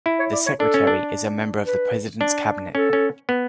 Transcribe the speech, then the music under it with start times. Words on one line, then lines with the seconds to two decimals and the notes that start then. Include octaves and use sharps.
The Secretary is a member of the President's Cabinet.
0.06 E4
0.19 C#5
0.32 D5
0.47 C#5
0.60 D4 A4
0.74 C#4
0.87 D4
1.67 B4
2.21 D4
2.75 C#4 A4
2.93 C#4
3.29 B3